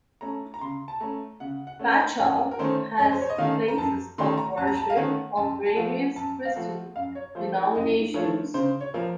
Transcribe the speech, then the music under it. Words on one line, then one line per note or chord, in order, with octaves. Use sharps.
Patchogue has places of worship of various Christian denominations.
A3 C#4 A#5
A#5
C#3 C6
A5
A3 C#4 A#5
C#3 F#5
F#5
A3 C#4
D#5
F#2 C#5
A#4
D#3 A3 C#4 C5
F#2 C#5
C5
C#5
D#5
D#3 A3 C#4 F5
A#5
F#2 A5
D#3 A3 C#4 C6
A#5
F#2 A5
A#5
A5
F5
D#3 A3 C#4 F#5
F#2 A5
A5
F3 A3 F#5
F#2 A5
F5
F3 A3 F#5
F#2 F5
C#5
F3 A3 C5
A#4
F#2 D#5
F3 A3 C#5
C#3 C5
C#5
F3 A#3